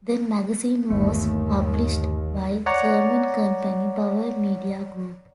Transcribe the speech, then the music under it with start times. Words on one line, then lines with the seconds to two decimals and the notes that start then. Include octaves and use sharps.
The magazine was published by German company Bauer Media Group.
0.90 G1 D#2 A3
2.66 C#5 D5 F#5 A#5